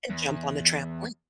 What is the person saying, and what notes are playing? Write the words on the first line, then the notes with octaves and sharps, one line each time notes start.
and jump on the trampoline,
E2